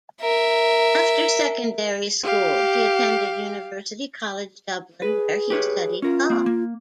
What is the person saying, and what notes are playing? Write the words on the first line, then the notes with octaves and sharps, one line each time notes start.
After secondary school, he attended University College Dublin where he studied law.
A#4 E5
G4 F5
G#4 B4
G4 B4 C#5
C#4 F4 A#4
A#3 C4
A#3